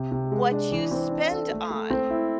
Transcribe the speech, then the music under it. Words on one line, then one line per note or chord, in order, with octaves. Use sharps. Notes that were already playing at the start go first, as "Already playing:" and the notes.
what you spend on,
Already playing: C3
C3
G#3
D4
E3
C4
D4
A4
A3
A3
C4
E4